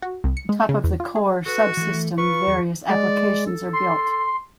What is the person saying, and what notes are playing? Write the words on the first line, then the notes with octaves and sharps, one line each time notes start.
On top of the core subsystem various applications are built.
F#4
C2
C#7
G#3
C#3
E2
F4
G#4
F#4 A4 B4
E3 A3
F4 B4 C#6
E2 F#4 G#4
G#3 D5
A4
C6